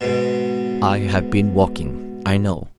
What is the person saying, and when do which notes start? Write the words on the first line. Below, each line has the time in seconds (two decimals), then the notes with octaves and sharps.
I have been walking, I know.
0.01 G#2 B2